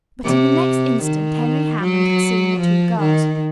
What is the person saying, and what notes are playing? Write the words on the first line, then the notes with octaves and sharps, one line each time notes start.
But in the next instant Henry Hammond had seen the two girls.
C3
D#3
F#3
F3
D#3